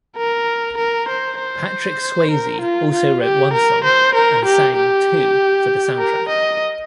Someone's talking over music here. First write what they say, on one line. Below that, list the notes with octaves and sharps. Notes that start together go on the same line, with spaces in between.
Patrick Swayze also wrote one song and sang two for the soundtrack.
A#4
A#4
C5
C5
A#4
F4
F4
G4
A#4
C5
A#4
G4
G4
A#4
D#5